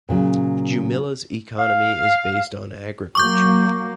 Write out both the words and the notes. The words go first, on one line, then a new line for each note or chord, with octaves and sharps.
Jumilla's economy is based on agriculture.
A#2 C#3 F#3
F5
F#3 A#3 C#6 D6 G6